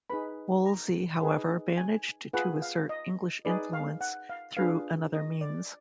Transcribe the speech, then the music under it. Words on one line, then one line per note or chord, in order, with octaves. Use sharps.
Wolsey, however, managed to assert English influence through another means.
D#4 G#4 B4 B5
A#5
D#4 G#4 B4
G#5
F4 G#4 B4 F#5
F5
D#5
D#4 G#4 B4 D5
F5
F#5
F5
D4 F4 G#4 B4 F5
D#5
D5